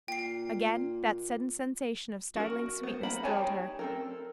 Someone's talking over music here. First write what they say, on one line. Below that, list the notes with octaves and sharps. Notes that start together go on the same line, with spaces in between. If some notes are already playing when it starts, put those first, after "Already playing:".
Again that sudden sensation of startling sweetness thrilled her.
A#2 G5 C7
F#4 A#4
B3 C5
A#3 F#5 B5
D#4 G4 C#5 G#5 A5
C4 A4 A#4